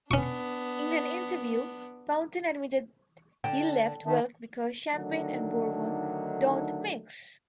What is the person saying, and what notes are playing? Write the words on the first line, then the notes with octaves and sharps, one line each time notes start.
In an interview, Fountain admitted he left Welk because Champagne and bourbon don't mix.
B3 C#4 D4 C#6
D3 G4 G5
D#3 E5 A5
D3 D#3 F#3 A3 D4 D#4